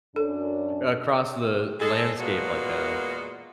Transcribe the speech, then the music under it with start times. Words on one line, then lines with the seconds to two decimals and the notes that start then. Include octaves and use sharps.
across the landscape like a
0.16 F#2 D4 A4
1.79 G#3 A4
2.19 A#2 G#3 A#3 B3 F#4